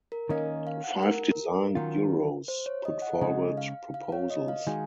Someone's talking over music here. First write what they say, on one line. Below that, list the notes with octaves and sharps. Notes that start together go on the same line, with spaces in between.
Five design bureaus put forward proposals.
A#4
D#3 A#3 C#4 D#5
F5
F#5
A#4
D#3 F#3 C#4 F4
C5
C#5
D#5
F#5
C#3 G#3 D#4 D#5
F5
F5
C#5
D#5
F5
D#3 G#3 D#4 F#4 G#5